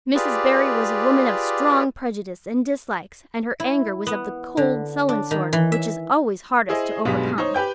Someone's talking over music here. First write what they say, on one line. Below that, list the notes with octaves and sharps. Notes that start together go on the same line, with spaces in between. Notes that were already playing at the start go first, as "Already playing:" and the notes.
Mrs. Barry was a woman of strong prejudices and dislikes, and her anger was of the cold, sullen sort which is always hardest to overcome.
F4 G4 G#4 B4 D5
E4
B3
D3
D4
D#3
E3
E5
E4 G#4 C5 D#5
B1 G2 B2 G3 G#3 B3
D#4 C5 C#5
G4 B4 G5 G6